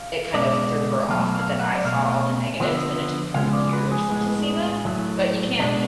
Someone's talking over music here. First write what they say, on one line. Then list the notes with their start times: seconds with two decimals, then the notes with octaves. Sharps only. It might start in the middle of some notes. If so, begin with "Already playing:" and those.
it kind of threw her off, but then I saw all the negatives, and it took her years to see them. But you can't
Already playing: F5
0.34 B2 G#3 B3 D5
1.09 B2 F#3 A3 F5
1.34 F5
1.59 F#5
1.75 D5
1.85 B2 A3 F5
2.60 D3 F3 B3
3.34 C#3 F3 G#3 B3 F5
3.53 D5
3.73 B4
3.92 G#4
4.10 A2 G#3 B3
4.85 A2 F#3 A3
5.60 B2 G#3 B3 D4